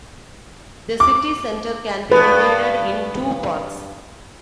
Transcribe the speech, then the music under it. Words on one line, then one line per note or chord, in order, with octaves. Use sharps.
The city centre can be divided in two parts.
D6
G2 B3 B4